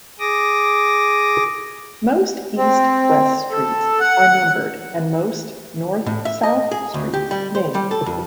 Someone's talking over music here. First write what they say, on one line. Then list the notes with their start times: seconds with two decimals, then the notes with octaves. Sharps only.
Most east-west streets are numbered and most north-south streets named.
0.20 G#4 D6 D#6 A#6
2.57 C4
3.51 A4
4.00 F#5
6.06 A2
6.25 E5
6.43 D#5
6.71 G#4
6.94 D2
7.14 G4
7.31 G3
7.55 C5
7.75 G3
7.91 A4
8.06 F2